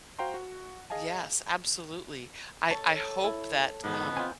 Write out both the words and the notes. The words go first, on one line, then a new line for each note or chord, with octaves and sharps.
Yes, absolutely. I I hope that, um,
F#4 C5 F5 G5 A#5 C6
F#4
G#4 D#5 F5 G#5 A5
A4 C#5 A5
E4
E2 G#2 B2 D#3 B3
C4 F4 G#5 G6